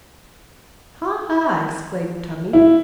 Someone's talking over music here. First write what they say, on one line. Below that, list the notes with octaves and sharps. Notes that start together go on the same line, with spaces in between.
"Ha, ha!" exclaimed Tommie.
E4